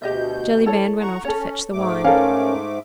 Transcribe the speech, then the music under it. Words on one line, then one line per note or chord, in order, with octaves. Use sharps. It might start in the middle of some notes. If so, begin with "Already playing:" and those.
Jellyband went off to fetch the wine.
D2 B2 G4 D#5 E5 G6
E4 A4 C#5
F#5 A#5 C#6
C#4 A4 C#5
G#2 A3 D6
C#4 A4 A#4 F5